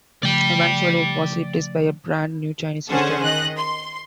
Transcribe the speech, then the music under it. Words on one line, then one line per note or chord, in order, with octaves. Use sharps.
Eventually it was replaced by a brand new Chinese restaurant.
C#3 F3 A3 D5 G5
D3 C#4 G#4 C5 F#5 A5
D#3 D#5 F#6
C6